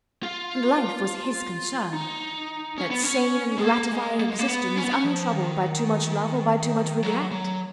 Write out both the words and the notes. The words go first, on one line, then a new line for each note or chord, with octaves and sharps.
And life was his concern: that sane and gratifying existence untroubled by too much love or by too much regret.
F4
D#4
C#4
B3
C#4
G#3
A#3
G#3
A#3
G#3
A#3
B3
C#4
B3
C#4
F3
D#3
F#3
F#3